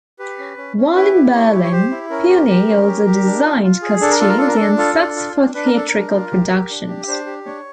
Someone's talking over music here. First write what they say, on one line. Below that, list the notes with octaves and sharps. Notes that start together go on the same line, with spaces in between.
While in Berlin, Puni also designed costumes and sets for theatrical productions.
G4 B4
C#4
C#4
C#4
E4 B4
G4
E4 C#5
G4
C#5
G4 C5
E4
C#4 A#4
G4
G4
C#4
G4
G4
D4
F4
F4
G#4
D4 A4
A#4
F4 A4
A#4
D4 A4
A#4
D4 A4
F4 A4
D4
F4
D4
D4 B4
A#4
D4 A4
A#4
D4
F4
G4
G4
D4
G4
D4 C5
G4
D4 C#5